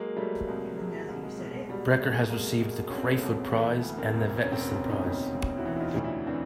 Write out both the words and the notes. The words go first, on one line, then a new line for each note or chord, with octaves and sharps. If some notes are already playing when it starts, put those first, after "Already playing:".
Broecker has received the Crafoord Prize and the Vetlesen Prize.
Already playing: F#3 G#3 A#3
F#3 G3 A3
C2 G#3
F#3 G#3
C2
G#3
B2
B2 G3
F#3 G3 A3
C2 G#3 A#3
B2 G#3 A#3
C2 C#4
C4
A3 B3
C2
E3 A3 B3
D2
A#3 C4
E1
E1 C#4
C4
B3 C#4
C3
C#4 D#4
D2
D2
E4 F#4
E3
E4
D#4 F4
D2
D4 E4
E3 C4 D4